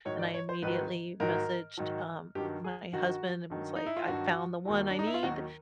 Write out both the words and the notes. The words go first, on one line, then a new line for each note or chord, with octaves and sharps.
And I immediately messaged, um, my husband and was like, "I found the one I need,
G#2 D#3 F#3 C#5
D5
C#5
C5
G#2 D#3 F#3 B4
G#2 D#3 F#3 A#4
G#2 D#3 F#3
G2 D#3 F#3 G4
G#4
G2 D#3 F#3 F#4
G2 D#3 F#3
D#4
E4
F4
G2 D#3 F#3 F#4
D#2 D#3 F#3
D4
D#4
E4
F4
D#2 D#3 F#3 F#4